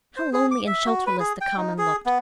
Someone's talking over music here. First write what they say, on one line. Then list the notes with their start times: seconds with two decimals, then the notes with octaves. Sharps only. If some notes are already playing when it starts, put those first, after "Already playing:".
How lonely and shelterless the common looked!
0.17 C5
0.33 G#4
0.51 D6
0.67 E5
0.86 F#4
1.06 B4
1.20 G#4
1.41 G5
1.57 D#4
1.78 G#4
2.06 B3